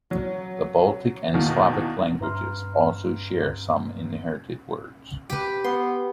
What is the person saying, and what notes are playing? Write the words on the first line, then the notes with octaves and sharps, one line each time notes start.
The Baltic and Slavic languages also share some inherited words.
F#3
E2 B2 D#3 E3 A#3
G2 B4 E5 A#5 C6 F6
G4 B4
B3 C6